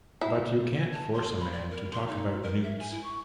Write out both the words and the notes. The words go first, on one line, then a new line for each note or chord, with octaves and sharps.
But you can't force a man to talk about newts.
E4
A5
C6
B5
D5
A#4
C6
D#4
A#4
E5
G#5
E4
C#6